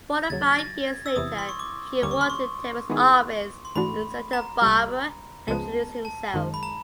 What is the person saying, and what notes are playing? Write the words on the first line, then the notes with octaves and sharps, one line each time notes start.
Forty-five years later he walked into Tebbett's office in Santa Barbara and introduced himself.
G#6
D#2 C#3 F#3 A6
A#6
A6
G#6
E6
E2 C3 E3 D#6
C6
C#6
D6
D#2 D3 G3 A#3 C#4 D6
C#6
C6
C#6
D#3 G#3 B3 E4 G#4
C6
G#2 E3 A3 D4 F#4 B5
A#5
C2 A#2 G3
C#2 C#3 F3 G#3 B3 A5
A5
F#2 D#3 G#3
B5
A#5